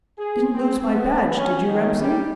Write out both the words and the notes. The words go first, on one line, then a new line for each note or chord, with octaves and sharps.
Didn't lose my badge, did you, Remsen?
G#4
C4
B3
C#4
D#3
G3